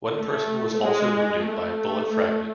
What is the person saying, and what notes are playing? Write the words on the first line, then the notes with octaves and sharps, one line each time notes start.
One person was also wounded by a bullet fragment.
A3
G#3
A3